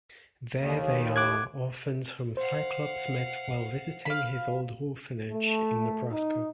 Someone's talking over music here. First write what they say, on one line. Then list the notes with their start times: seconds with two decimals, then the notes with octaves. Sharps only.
There they are orphans whom Cyclops met while visiting his old orphanage in Nebraska.
0.59 D#2
1.16 D6 F#6 G#6
2.37 C5 F5 F#5
4.05 F5 B5
5.31 A3
6.12 D#4